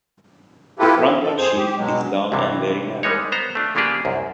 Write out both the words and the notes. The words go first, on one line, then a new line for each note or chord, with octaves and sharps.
The frontal shield is long and very narrow.
E4 F4 G4 A4 B4
F3
A4
F2 C4 G#4 C5
G4
B2 F#3 G#3
C2 G2 C3 E3
G3 G#3 D#4 C#5
B3 C5 A#5
A3 D4 F4
C#3 F3 A#3 D4 G4 G#4
C2 F#2